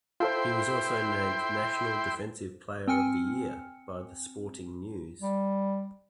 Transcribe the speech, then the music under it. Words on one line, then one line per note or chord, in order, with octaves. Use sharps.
He was also named National Defensive Player of the Year by "The Sporting News".
E4 F4 A4 C5 G5 C6
C4 G5 G#5 F6 C#7
G3